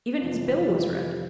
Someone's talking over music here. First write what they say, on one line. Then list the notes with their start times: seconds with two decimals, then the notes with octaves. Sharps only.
Even his bill was red.
0.19 F2 C3 E3 F3 F4
0.67 G3 G4